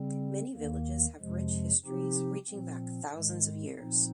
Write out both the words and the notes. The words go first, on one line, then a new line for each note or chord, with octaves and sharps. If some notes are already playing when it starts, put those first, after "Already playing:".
Many villages have rich histories reaching back thousands of years.
Already playing: C#3 G3 C4
D#2 D#3 A#3
F2 C3 F3 G#3
C3 F3 C4 D#4 G4
A#2 F3 C4
G#2 D#3 G#3
A#2 F3 C4 D#4